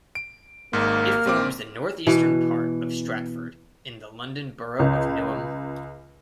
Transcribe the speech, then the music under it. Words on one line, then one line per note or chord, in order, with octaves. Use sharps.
It forms the northeastern part of Stratford in the London Borough of Newham.
D7
G#1 G#2 A#3 F6
A#1 C4 D6
B2 E3
C#2